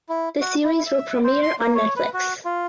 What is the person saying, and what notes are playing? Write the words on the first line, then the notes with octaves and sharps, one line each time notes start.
The series will premiere on Netflix.
E4
F#4
E4
E5
C5
C6
A#3
C#5
B4
F#4
F4